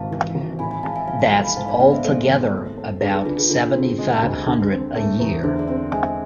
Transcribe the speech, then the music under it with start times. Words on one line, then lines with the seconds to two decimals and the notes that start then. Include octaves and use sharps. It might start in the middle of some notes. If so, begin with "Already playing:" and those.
That's altogether about seventy-five hundred a year.
Already playing: G#1 G#2 F5 A5
0.11 E3
0.35 G#1
0.59 A2 G#5 B5
0.71 G#5 B5
0.83 G#3 F5 A5
0.96 E5 G#5
1.07 F3 F5 A5
1.20 F5 A5
1.32 B1 F5 A5
1.44 G#5 B5
1.56 G#2 F5 A5
1.68 D5 F5
1.80 B3 D5 F5
1.92 C5 E5
2.05 G#3 A4 C5
2.29 G#1
2.53 A3
2.78 A4
3.01 D4 G#4 B4
3.14 G#4
3.26 D3 F4
3.38 G#4
3.50 D3 F4 A4
3.74 C4
3.98 G#3
4.22 D2
4.47 D3
4.71 C4
4.96 A3 G#4
5.20 E2 G#4
5.43 D3 C5 E5
5.59 D5
5.68 C4 C5 E5
5.92 G#3 E5 G#5